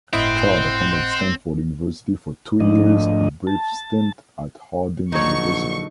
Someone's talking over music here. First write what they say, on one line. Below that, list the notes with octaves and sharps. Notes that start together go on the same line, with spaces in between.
Chad attended Stanford University for two years a brief stint at Harding University.
G1 A2 C4 E4 C5 D#5 F#5
G#2 F3 A3 D4 D#5
A5
A#1 D3 F#3 D#4 C#5 C#6